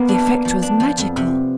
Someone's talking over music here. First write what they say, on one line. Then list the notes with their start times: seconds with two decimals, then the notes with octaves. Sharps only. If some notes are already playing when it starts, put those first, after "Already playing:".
The effect was magical.
Already playing: A#3 B3
0.09 D4
0.27 A#3
0.45 F3
0.62 D4
0.80 F3
0.98 F2
1.17 C3